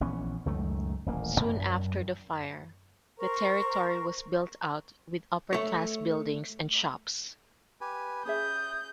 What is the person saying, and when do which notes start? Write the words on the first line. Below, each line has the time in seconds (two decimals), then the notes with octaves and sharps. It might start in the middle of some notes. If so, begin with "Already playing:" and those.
Soon after the fire, the territory was built out with upper-class buildings and shops.
0.01 A#1 E3 B3 C#4
0.46 C#2 F#2 D#3 A3
1.06 D#1 A1 A#3
1.40 F#2
3.17 A#4 C5 A#5 C#6
5.53 A3 C#5
7.81 G4 B4 G#5
8.25 C#4 G#4 E5 D#6 G6